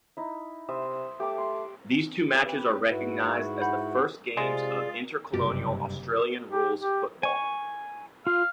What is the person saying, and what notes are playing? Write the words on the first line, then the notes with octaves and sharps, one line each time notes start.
These two matches are recognised as the first games of intercolonial Australian rules football.
D#4 E4
C3 C5 E5 D#6
A3 G4 D6
C6
C5
C4 G4 B4
G#2 E4 F#4 B4
F#5 B5 G6
C3 G#3 F4 G#4 D5
F#1 G2 C3 G4
G4
G4
G#5 C#6
F4 F5